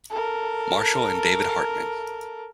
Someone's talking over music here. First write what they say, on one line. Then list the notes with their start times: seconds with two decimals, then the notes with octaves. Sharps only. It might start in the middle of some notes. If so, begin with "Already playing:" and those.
Marshall and David Hartman.
0.10 A4 A#4